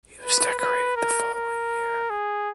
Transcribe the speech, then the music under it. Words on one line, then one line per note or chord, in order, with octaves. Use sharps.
He was decorated the following year.
B4
B4
A#4
A#4
G#4